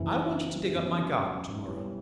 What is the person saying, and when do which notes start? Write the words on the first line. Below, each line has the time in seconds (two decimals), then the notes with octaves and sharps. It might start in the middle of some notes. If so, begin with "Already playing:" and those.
'I want you to dig up my garden to-morrow.'
Already playing: F#1 F#2 E3
0.74 F#2 C#3 F#3 B3
1.66 B2 G3 C#4 E4 B4